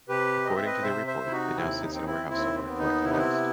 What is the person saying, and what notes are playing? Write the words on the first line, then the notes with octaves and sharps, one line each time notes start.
According to their report, it now sits in a warehouse somewhere, collecting dust.
C3 G4 B4
C4 D#5
E5
B4 D#5
C3 C5 E5
C5 E5
C3
E4
D#4 F#4
D#2 C4 E4
D#4
C4 D#4
C4 E4
D#2 C4 E4
C4
B3
D#4
C3 E4
D#4
C4 E4